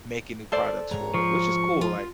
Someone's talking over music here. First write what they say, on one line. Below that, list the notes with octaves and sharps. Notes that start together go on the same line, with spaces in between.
making new products for it, which is cool, like
A4 C5 D5
G#2 C#5 A#5
F3 C#6
F4